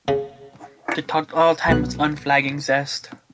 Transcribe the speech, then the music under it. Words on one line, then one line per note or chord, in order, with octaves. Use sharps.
They talked all the time with unflagging zest.
C#3
C2 B2 F#3 A3 B3 F#6